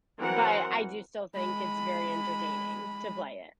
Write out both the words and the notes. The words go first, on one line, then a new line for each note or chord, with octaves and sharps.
but I do still think it's very entertaining to play it.
E3 F#3 C4 A#4 F#5
G#3 B5